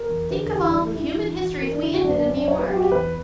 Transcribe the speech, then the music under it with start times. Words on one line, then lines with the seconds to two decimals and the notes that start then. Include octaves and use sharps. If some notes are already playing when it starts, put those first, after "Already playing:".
Think of all the human histories we ended in New York!...
Already playing: A#4
0.09 E2
0.30 D3 B4
0.41 A#4
0.52 E2 G4
0.63 E4
0.70 D4
0.74 G3 E4
0.95 G2 E4
1.17 E3
1.39 E3 F#4
1.61 B3 A#4
1.72 D4
1.82 D3 E4
1.94 F#4
2.04 F#2 D4
2.15 D4
2.26 B3 C#4
2.37 D4
2.48 F#3 C#5
2.59 B4
2.69 F#3 G4
2.76 F#4
2.80 G4
2.92 E2 B4